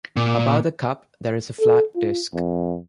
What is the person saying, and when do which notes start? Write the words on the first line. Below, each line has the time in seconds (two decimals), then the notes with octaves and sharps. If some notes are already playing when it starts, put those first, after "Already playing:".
Above the cup, there is a flat disc.
0.17 A#2
1.61 A4
1.96 F4
2.34 F2